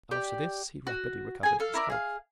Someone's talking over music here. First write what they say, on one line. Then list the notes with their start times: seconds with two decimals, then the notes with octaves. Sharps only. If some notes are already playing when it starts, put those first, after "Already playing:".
After this he rapidly recovered his health.
0.11 G4 D5
0.87 F#4
1.43 G#4 G#5
1.60 A4 F5
1.74 E4 A#4 D5
1.90 G#4 F5